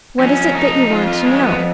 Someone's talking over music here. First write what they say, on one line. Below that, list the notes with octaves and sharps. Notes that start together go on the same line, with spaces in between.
What is it that you want to know?
F2 C#4
F2 D#4
F2 F4
F4
F2 G#3
B3